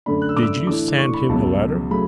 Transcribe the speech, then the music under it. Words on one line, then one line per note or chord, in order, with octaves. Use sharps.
"Did you send him a letter?"
F#2 D3 A3 D4 B5
F#6
E6
D6
E6
A2 E3 A3 D4 D6
C#6
B5
C#2 B2 F#3 C#4 A5
C#3 F#3 A3 B5